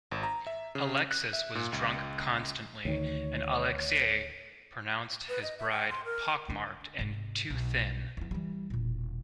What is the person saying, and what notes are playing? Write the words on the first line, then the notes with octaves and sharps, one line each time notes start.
Alexis was drunk constantly and Alexei pronounced his bride "pock-marked" and "too thin".
G#1
A#5
E5
C#3
F#6
E5
A#2
C#2
D2 D#3 C#5
B4
D#5
E5
G5
C6
A#4
D3 D4
G#2 C3
B1
E2 F3
E3 G3
E1 A#2